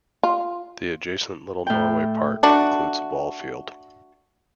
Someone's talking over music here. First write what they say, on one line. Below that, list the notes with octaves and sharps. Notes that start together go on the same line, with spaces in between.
The adjacent Little Norway Park includes a ball field.
F4
A2 G5
A3 D4 F#4